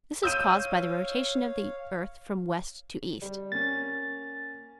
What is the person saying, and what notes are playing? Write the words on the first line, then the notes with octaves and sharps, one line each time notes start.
This is caused by the rotation of the earth from west to east.
C#5 F5 E6 G6 D#7
G3
A#3 C#4 A6